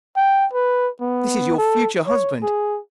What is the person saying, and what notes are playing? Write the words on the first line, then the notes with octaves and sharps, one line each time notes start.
'This is your future husband.
G5
B4
B3
A4
C#5
G#4